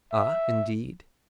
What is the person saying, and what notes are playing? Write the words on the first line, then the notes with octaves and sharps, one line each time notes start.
"Ah, indeed?"
E5